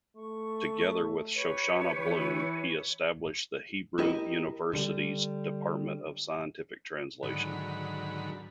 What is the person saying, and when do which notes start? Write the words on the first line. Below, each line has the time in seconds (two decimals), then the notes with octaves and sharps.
Together with Shoshana Bloom, he established the Hebrew University's Department of Scientific Translation.
0.17 A3 C#6
1.34 G4 B4 C#5
1.98 E3
3.99 E4 G4 A#4 D#5
4.73 D3 G3
7.23 G#2 D3 D#3 F#3 B5